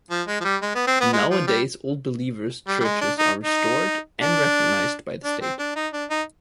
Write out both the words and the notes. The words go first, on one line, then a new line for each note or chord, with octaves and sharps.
Nowadays Old Believers' churches are restored and recognized by the State.
F3
G#3
F3
G3
G#3
B3
C4
B3
G#3
F3
G3
G3
G3
G#3
D4
D#4
D#4
D4
D4
C4
D4
D#4
D4
D#4